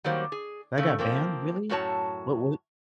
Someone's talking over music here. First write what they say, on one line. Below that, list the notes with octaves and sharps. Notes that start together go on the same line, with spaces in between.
That got banned, really? What wa
D#3 F#3 G3 A#3 C5
G#4
C#3 A3
F3 A#3 C4
F#2 A2 F#4 C#5 A5